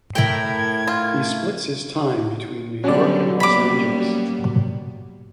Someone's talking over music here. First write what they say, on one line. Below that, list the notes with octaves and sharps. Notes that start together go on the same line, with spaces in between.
He splits his time between New York and Los Angeles.
A2 E4 A#4 G5 G#6
F4
D3 F#3 G3 B3 C#4 D5
G3 A#3 B3 B5 D6